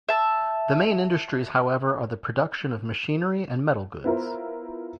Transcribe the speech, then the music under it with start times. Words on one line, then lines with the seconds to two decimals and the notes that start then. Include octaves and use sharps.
The main industries, however, are the production of machinery and metal goods.
0.09 E5 A5
4.04 B3 E4 F4 A#4 C5